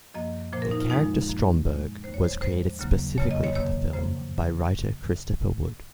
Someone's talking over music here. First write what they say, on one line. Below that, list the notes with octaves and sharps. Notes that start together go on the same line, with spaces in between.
The character Stromberg was created specifically for the film by writer Christopher Wood.
F#2 F3 A#3 D#5
A#2 F3 A#3 C5
A#4
D#4
F4
F#2 F3 G#3 D#4
F#2 F3 A#3
A#2 G#3
D#2 D#3 F#3 A#3 C5
C#5
C5
G#2 F3 G#3 C5
D#2 C#3 F#3 A#3
F2 C#3 F#3 A#3 C#5
D#5
C#5
C3 D#3 A#3 C#5
F#2 C#3 F3 A#3 C5